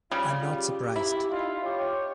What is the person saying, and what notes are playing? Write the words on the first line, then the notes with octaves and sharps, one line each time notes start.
I’m not surprised!
C#3 G3 F4
G4
E4
D#4 F4
G4 C#5